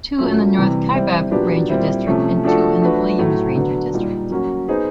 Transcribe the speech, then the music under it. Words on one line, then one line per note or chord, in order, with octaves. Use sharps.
Two in the North Kaibab Ranger District and two in the Williams Ranger District.
A#2 F#3 A3 C#4
C3 E3 G3
G3 C4 E4
A#2 F#3 B3 D4 G4
A#2 G3 C4 E4
C3 F3 A3 C#4
F3 A3 D4 F#4 A4
F3 A3 D4 F#4 B4
A2 F#3 A3
D3 F#3 B3
A#2 G3 A#3 D#4
F#3 A#3 C#4 F#4
B3 D#4 G#4 C5